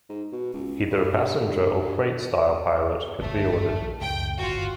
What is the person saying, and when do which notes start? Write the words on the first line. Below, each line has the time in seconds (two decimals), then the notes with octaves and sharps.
Either a passenger or freight style pilot could be ordered.
0.09 G#2
0.32 B2
0.54 C#2
0.91 G2
3.20 G1 D#2 A#2 A3
3.69 A#1
4.01 C#2 F#2 A2 G5
4.38 G1 E2 A2 F4 F#4